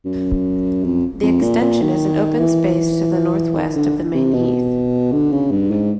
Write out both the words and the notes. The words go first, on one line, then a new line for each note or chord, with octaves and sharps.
The Extension is an open space to the north-west of the main heath.
F#2
F2
F2
A#2
A#2
D#3
E3
D#3
D3
C3
B2
D3
C#3
G2
G#2